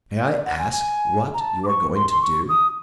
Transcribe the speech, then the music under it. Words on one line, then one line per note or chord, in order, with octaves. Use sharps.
"May I ask what you are going to do?"
D5
F#5
G#5
G#5
A#5
A5
D6
C#6
C6
C6
C#6
D#6